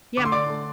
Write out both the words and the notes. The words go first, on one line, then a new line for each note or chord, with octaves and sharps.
Yeah, m
D3 D6
C6
D3 D5 D6
A3